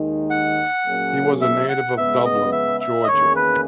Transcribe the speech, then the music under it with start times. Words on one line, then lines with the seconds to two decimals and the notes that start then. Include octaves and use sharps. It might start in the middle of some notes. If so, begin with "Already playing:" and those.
He was a native of Dublin, Georgia.
Already playing: D#2 D#3 G#3 D#4
0.30 F#5
0.85 A#2 F#3 A#3 C#4 G#4
1.41 E5
1.69 F#5
1.97 C#3 G#3 B3 E5
2.25 D#5
2.52 E5
2.80 E5
3.03 D#5
3.08 E2 D#3 A#3 C#4 G#4 C#5
3.36 B4